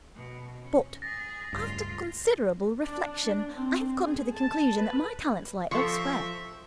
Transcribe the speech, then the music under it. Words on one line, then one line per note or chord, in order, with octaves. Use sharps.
But, after considerable reflection, I have come to the conclusion that my talents lie elsewhere.
B2
C#4
G#4 A6 A#6
C#2 G2 A3 F4
D4
D4
C4
G#4
A5
B4
F3 C4 A4 E5 C#6